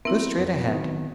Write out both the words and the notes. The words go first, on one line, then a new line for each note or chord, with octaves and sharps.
Go straight ahead.
B3 C4 E4 A#4 E5
F2 B3
D#3 F#3 B3